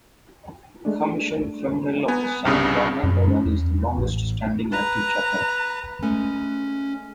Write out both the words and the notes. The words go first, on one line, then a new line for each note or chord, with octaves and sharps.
Comision Femenil of the San Fernando Valley is the longest-standing active chapter.
G#3 A3 D4
B3 G#5 A#5
C2 G2 C#3 D#6 F6
F#2
C#4
E2
A1
B4 A#5
G#3 A3 C#4